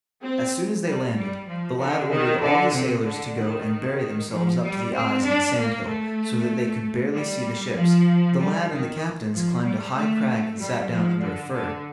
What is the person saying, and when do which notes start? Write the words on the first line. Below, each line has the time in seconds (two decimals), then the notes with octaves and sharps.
As soon as they landed, the lad ordered all the sailors to go and bury themselves up to the eyes in a sandhill, so that they could barely see the ships. The lad and the captains climbed a high crag and sate down under a fir.
0.22 C4
0.84 G3
1.16 G3
1.47 F3
1.79 D3
2.09 D#3
2.41 D3
2.72 C3
3.04 D3
3.36 D#3
4.30 F3
4.62 G3
4.93 C4
5.24 D4
5.56 A#3
5.86 A3
7.13 G3
7.75 F3
8.38 G3
8.70 D#3
9.32 F3
9.63 G3
9.95 A3
10.59 G3
10.90 F3
11.22 D3
11.52 D3